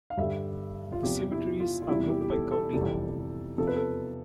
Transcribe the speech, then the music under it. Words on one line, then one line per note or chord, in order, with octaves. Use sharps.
The cemeteries are grouped by county.
F5
G2 D3 G3 E5
F4
E2 C3 F3 G4
E4
F4
F4
E2 C3 E3 G3 E4
G4
G4
A4
A4
F2 C3 E3 G3 A4
E2 C3 F3 A4
B4
A4